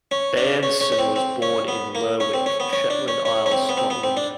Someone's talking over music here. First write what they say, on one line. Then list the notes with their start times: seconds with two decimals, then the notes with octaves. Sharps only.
Bairnson was born in Lerwick, Shetland Isles, Scotland.
0.11 C#4
0.37 D4
0.63 C#4
0.81 C#4
0.92 C#4
0.99 C4
1.16 C4
1.42 C#4
1.68 B3
1.95 A#3
2.20 C#4
2.33 C4
2.46 C#4
2.60 B3
2.73 C#4
2.90 D4
3.08 C#4
3.25 C#4
3.46 C#4
3.51 C4
3.69 B3
3.77 C4
3.90 B3
4.03 C4
4.17 D4